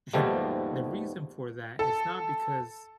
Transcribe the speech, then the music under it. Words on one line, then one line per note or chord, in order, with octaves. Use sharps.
And the reason for that is not because
D#2 G#2 B2 F3 G3 A3
A4